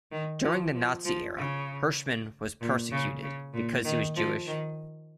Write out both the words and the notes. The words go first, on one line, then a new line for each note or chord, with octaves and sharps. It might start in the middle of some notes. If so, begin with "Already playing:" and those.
During the Nazi era, Herschmann was persecuted because he was Jewish.
D#3
F3
F3
F3
C#3
A#2
C#3
C#3
A#2
D#3
F3
D#3